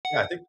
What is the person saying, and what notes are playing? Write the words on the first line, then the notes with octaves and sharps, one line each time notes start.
yeah, I think
F#5